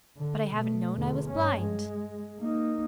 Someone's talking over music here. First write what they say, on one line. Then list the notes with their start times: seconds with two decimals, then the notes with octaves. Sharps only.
"But I haven't known I was blind!"
0.18 D3
0.54 B2 A3
0.97 E2 D3
1.30 G2 C#4
1.60 G#3
2.41 A#3 D#4